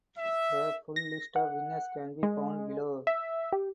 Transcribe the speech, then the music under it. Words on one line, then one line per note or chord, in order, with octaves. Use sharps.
The full list of winners can be found below.
E5
A#6
F#5
G#3
E5
G4